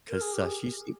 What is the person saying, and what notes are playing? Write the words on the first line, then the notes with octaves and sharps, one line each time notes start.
'cause, uh, she seem
A#4
G#4
G4
G#4